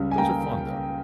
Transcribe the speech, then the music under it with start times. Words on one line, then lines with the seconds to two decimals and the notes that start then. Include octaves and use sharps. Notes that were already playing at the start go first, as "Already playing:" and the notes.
Those are fun, though.
Already playing: C#2 C#3 G3
0.11 G#5
0.18 A#3 G5 A#5
0.43 C#3